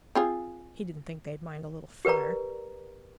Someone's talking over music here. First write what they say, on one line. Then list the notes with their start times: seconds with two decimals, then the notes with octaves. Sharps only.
He didn't think they'd mind a little fire.
0.15 C4 F4 G#4
2.05 G4 A#4 B4 D5 A#5